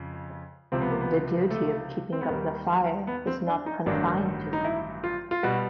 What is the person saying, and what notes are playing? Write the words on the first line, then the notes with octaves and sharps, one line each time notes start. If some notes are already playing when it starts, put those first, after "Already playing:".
The duty of keeping up the fire is not confined to them.
Already playing: F2 C#3
C#2 C3 F3 C4
B3
A#3
B3
A3
C4
B3
D#2 D#3 G3 A#3
B3
C4
D4
D#4
A1 G2 D#3 F#3 D4
D#4
E4
F4
F4
B2 G3 F#4